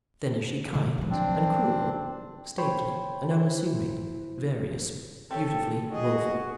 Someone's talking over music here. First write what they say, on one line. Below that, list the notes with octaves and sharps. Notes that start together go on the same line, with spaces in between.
Then is she kind and cruel, stately and unassuming, various, beautifully wilful.
B2 D3
F3 F#3
C4 D4
C5 C#5 G5 B5
E4 C5
C4 G4 A4 C#5
F#4 G#4 D#5